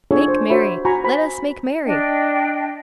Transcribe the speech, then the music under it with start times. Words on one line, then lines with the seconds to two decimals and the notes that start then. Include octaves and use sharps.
Make merry, let us make merry.
0.11 D4 F4 G#4 A4 C#5
0.28 C5
0.50 F#4 C5 C#5 E5 B5
0.85 F#4 G#5 A#5 B5 C#6
1.04 F#4 C5 G#5 B5
1.85 D4 D#5 G5